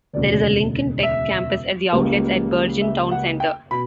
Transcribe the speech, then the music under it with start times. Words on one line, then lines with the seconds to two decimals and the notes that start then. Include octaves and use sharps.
There is a Lincoln Tech campus at The Outlets at Bergen Town Center.
0.13 E1 D2 C#3 D5
1.03 E5
1.92 C#2 C#3 G3 A#3
2.81 E5
3.11 F#5
3.40 G5
3.71 B2 B5